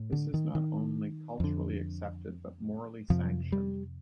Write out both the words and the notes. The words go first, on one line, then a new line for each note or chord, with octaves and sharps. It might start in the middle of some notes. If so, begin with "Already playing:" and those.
This is not only culturally accepted but morally sanctioned.
Already playing: A2
D3
D#3
D#3
F2 D3
F2 C3 F3
G3